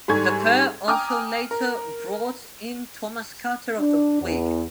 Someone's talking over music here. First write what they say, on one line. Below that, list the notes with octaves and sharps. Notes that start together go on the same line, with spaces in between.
The pair also later brought in Thomas Carter of the "Whig".
G#2 G3 A4 G#5 C#6 G#6
G5 G#5 A#5 D6 D#6 F6
A#4
D4
E2